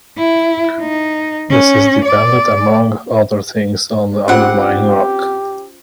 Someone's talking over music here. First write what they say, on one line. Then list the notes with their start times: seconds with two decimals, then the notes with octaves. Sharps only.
This is dependent, among other things, on the underlying rock.
0.18 E4
0.80 D#4
1.50 C#4
2.05 D5
4.28 C4 C#4 F4 G4 C5 F#5